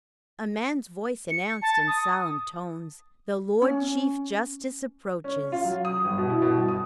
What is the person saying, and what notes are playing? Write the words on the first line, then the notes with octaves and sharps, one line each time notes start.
A man's voice announced in solemn tones, "The Lord Chief Justice approaches."
C#7
A5
D#6
C#4
C#4
F4
F#3
D#6
G1
B2
E4
B2
G1
D#6